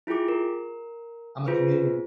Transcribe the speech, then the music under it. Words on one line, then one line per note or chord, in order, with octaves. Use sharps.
I'm a comedian.
E4 F4 G4 G#4 D6
A#4
F4 G#4 B4 C5